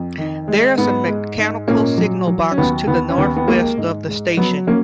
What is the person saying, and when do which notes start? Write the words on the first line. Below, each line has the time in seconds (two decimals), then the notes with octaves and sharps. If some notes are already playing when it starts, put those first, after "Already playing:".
There is a mechanical signal box to the north west of the station.
Already playing: F2
0.18 D#3
0.48 G#3
0.78 G#2 B3
1.08 G#3
1.38 G#2
1.68 A#2 A#3 C#4
1.98 F#3
2.27 F#3
2.51 C#4
2.58 D#2 B3
2.87 D#2 B3
3.10 C#4
3.17 D#2 B3
3.36 B3
3.47 G#3 A#3
3.77 G#2
4.07 G#3
4.37 F#3 B3
4.67 F#3 A#3 C#4